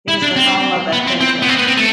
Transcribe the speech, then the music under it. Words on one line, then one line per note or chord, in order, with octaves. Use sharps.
It is the home of Athinaikos.
E4
D4
C4
B3
C4
C4
B3
C4
B3
C4
A3